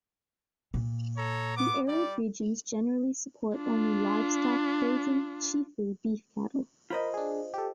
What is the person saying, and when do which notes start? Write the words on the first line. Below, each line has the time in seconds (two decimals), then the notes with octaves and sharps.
The arid regions generally support only livestock grazing, chiefly beef cattle.
0.74 A#2
1.16 A4 C#5 A#5
1.56 B3 D6
1.87 G3 D5
3.56 D4 F4
6.90 F4 A#4 C5 D#5 B5
7.14 D4 G#4
7.54 G4 A4